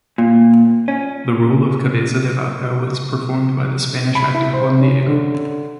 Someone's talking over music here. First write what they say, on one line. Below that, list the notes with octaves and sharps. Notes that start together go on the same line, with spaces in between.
The role of Cabeza de Vaca was performed by the Spanish actor Juan Diego.
A#2
C#4
B5
E4
C5
C#4
D3